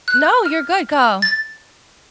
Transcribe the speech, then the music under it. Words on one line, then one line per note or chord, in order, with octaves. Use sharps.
No, you're good, go.
F#6
F6
A6